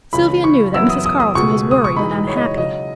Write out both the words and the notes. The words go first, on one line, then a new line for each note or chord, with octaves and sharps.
Sylvia knew that Mrs. Carleton was worried and unhappy.
C#2 C#3 E3 B5
C#6
F#2 E3 B3 E4 E6
D#6
D#6
D#6
C#2 B2 G#3 C#6
D#6
C#6
E2 B2 G#3 D#4 B5
C#5
D#5
C#5
C#3 F#3 C#4 D#5